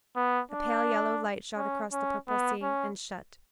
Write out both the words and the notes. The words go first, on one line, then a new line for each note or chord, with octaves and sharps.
A pale yellow light shot across the purple sea; and shut.
B3
D4
C#4
C#4
B3
C#4